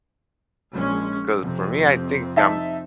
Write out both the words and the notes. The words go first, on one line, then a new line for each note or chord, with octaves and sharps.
'Cause for me, I think I'm
A#1 G#3 C#4
F2 C3 C4
D#4 E5 A5